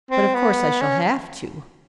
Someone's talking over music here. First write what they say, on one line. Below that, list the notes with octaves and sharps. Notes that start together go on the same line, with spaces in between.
But, of course, I shall have to.
C4
B3
C#4